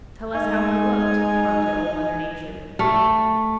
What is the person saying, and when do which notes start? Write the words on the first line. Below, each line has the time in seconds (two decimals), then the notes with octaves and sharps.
"Tell us how he looked," prompted Old Mother Nature.
0.34 G#3 D#4 G#5
2.79 A3